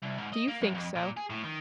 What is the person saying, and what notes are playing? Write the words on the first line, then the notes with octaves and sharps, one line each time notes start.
"Do you think so?"
C2
G#2
D#5
A#3
F#2
F2
A#2
G#4
A2
D#3